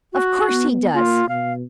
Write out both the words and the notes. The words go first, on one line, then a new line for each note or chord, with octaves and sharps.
Of course he does.
F#4
B3
A#3 F4
B2 F5